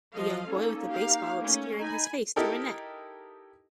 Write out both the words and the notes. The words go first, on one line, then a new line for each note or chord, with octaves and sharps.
A young boy with a baseball obscuring his face through a net.
F3 D#5 F5
A#3 C#4 D#4 A4
G4 F5
A3 C#4
D#4 G#5 B5
D#4 E4 G4 A4 A#4